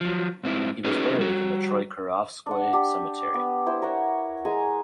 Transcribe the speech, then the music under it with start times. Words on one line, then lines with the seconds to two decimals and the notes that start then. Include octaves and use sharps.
He was buried in the Troyekurovskoye Cemetery.
0.01 F3 F#3
0.43 G#2 C4 D#4 E4
0.84 C#4 D#4 F#4 G#4 B4 C#5
1.19 G3 F#4
2.46 D4 F#5
2.73 D4 G4
3.34 B3
3.66 E4 C5
3.82 A#4 C#5 F#5
4.45 G#3 G#4 G#5 A#5